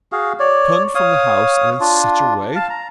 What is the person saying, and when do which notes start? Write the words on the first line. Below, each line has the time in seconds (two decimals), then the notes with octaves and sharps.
Turned from the house, and in such a way!
0.12 F#4 G#4 F5
0.39 C#5 D5
0.95 C#5 F5 D#6
1.80 D4 F4
2.55 F5 A5
2.70 A#5